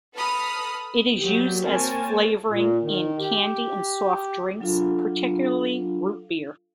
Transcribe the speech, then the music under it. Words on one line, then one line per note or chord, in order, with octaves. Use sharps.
It is used as a flavoring in candy and soft drinks, particularly root beer.
A4 B4 A#5 B5 D#6 F6
F#3 G3 A#3 G4
A#3 C4 A#4 C#5 G#5 A5
A#2
D#3
G4
F#3 D4 F4 A4 F5